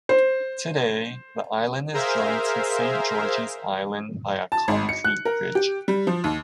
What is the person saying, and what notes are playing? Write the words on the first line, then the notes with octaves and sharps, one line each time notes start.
Today, the island is joined to Saint George's Island by a concrete bridge.
C5
G#4 A#4 C5 E5 F5
A5
G#1
C#7
F#6
A#4
G4
G3
F3
D#2